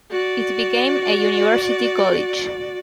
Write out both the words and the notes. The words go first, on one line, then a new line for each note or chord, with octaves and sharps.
It became a university college.
F#4 D5